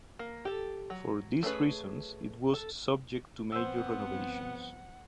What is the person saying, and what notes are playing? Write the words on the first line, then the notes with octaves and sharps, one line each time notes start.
For these reasons it was subject to major renovations.
A#3
G4 A4
F#3
A3 C#4 G#4 B4
A4
G2 F3 B3 C4 C5 F#5 E6